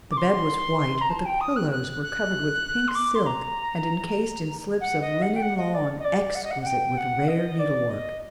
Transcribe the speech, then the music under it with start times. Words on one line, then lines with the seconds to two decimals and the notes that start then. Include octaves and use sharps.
The bed was white, but the pillows were covered with pink silk and encased in slips of linen lawn, exquisite with rare needlework.
0.11 D6
0.17 C6
1.01 A#5
1.09 A5
1.25 G5
1.41 D#6
1.56 F#6
1.71 F#6
2.03 F#6
2.88 C6
2.95 D6
3.15 C6
3.26 A#5
4.81 F#5
5.01 D#5
5.22 F#5
5.36 G5
5.42 F#5
5.58 D#5
5.74 D5
5.99 D#5
6.04 D5
6.35 F#5
6.43 D#5
6.51 F#5
6.62 F#5
6.66 G5
6.97 F#5
7.28 D#5
7.59 D5
7.90 D#5